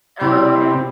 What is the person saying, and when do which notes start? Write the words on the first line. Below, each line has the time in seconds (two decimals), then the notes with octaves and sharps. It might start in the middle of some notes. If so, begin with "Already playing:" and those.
Oh, okay.
0.21 C3 E4